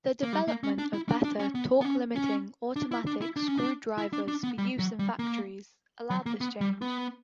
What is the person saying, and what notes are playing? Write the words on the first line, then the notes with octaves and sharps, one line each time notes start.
The development of better torque-limiting automatic screwdrivers for use in factories allowed this change.
A#3
G3
A#3
C#4
D4
E4
D4
D4
C#4
B3
B3
C#4
C#4
D4
E4
D4
E4
D4
C#4
D4
E4
D4
D4
B3
G3
F#3
G3
A#3
F#3
A#3
B3
G3
B3